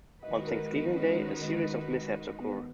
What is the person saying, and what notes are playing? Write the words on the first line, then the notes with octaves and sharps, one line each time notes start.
On Thanksgiving Day, a series of mishaps occur.
D#3 G#3 D#4 F#4 B4 D#5
A#4
B3
C#4
B3